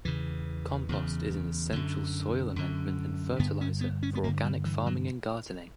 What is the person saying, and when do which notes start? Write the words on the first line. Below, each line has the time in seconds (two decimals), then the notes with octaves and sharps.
Compost is an essential soil amendment and fertilizer for organic farming and gardening.
0.05 E2 C#3 E3
0.89 E2 C#3
1.73 F#2 D3
2.56 F#2 D3
3.39 G2 D3 B3
3.61 C#4
3.81 B3
4.03 C#4
4.15 B3
4.24 G2 A#3
4.27 D3
4.44 G3
4.65 E3
4.86 F#3